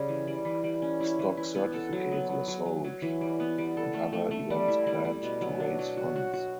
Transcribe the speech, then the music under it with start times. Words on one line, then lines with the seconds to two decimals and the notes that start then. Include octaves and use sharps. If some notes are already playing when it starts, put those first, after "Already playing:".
Stock certificates were sold and other events planned to raise funds.
Already playing: C#3 G3
0.09 E3
0.27 G3
0.45 E3
0.64 G3
0.82 C#4
1.00 E4
1.19 E3
1.37 E4
1.55 B3
1.74 A4
1.93 F#3
2.11 B3
2.29 F#3
2.48 F#3
2.66 F#3
2.84 F#3
3.02 E3
3.21 G3
3.40 B3
3.58 G3
3.77 A4
3.94 A3
4.12 A3
4.31 A3
4.50 G3
4.68 E4
4.87 G3
5.05 G3
5.23 B2
5.41 F#3
5.60 D4
5.79 F#3
5.97 F#4
6.16 F#4
6.33 F#4